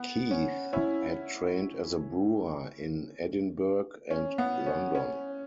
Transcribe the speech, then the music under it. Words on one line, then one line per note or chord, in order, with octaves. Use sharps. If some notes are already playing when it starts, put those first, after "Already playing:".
Keith had trained as a brewer in Edinburgh and London.
Already playing: B3
C#4
C#4 E4
C#4
B3
C#4
C#4